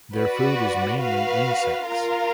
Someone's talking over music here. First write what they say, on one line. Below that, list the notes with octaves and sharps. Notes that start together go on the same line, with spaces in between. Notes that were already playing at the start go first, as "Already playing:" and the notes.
Their food is mainly insects.
F#4 B4 D5
F#4 B4 F5
F4 A#4 F5